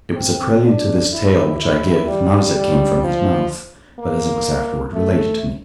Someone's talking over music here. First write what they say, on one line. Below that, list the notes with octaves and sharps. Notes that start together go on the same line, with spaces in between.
It was a prelude to this tale which I give, not as it came from his mouth, but as it was afterward related to me.
C4
D4
E4
E4
G3
G3
F3
A#3
A3